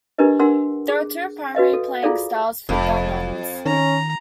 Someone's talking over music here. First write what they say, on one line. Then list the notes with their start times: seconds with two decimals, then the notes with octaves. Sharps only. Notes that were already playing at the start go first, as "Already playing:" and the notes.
There are two primary playing styles for dununs.
0.18 D4 E4 G4 A#4 B4 D#5
0.39 D4 A#4 F#5 C6 E6
0.89 G#4
1.55 F#4 B4 D#5 F5
1.73 A4
2.03 E4 F4 G#4 A4 D5 F5
2.69 F1 F2
3.66 D#3 C#4 A#5